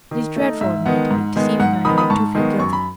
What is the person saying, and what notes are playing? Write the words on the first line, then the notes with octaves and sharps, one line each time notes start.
It is dreadful of me to be deceiving her and I do feel guilty.
D#3
A3 D#4
G#2 E5
D#3 G#3 B3 F#5
G#2
D#3 G#3 B3
G#2 F#5
F#5
D#3 G#3 B3 B5 D#6
B5 D#6
G#2 A5 C#6
D#3 G#3 B3
F#2 C#6
B5